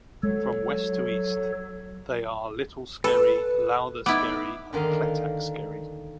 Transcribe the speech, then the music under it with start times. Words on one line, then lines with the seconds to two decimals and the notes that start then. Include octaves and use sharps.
From west to east, they are Little Skerry, Louther Skerry and Clettack Skerry.
0.23 F#3 G#3 A4 C#5
3.04 A4 B4
4.06 B3 D#4 E4 D6
4.73 D3 D#3 A#3 D#5 F5